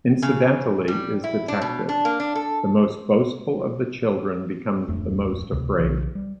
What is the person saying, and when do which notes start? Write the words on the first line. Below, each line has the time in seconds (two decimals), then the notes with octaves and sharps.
Incidentally is detected: The most boastful of the children becomes the most afraid.
0.22 C#3
0.88 G3
1.24 E4
1.48 D4
1.62 B2
1.89 D4
2.05 A#3
2.20 D4
2.35 A4
4.88 D1 F2 A3 D4
5.52 D2 C3
5.78 B1 C#3 E3
6.15 G3